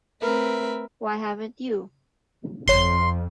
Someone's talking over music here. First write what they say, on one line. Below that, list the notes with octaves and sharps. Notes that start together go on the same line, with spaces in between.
Why haven't you?
A3 C4 A#4 B4 E5
G1 F2 C#5 C6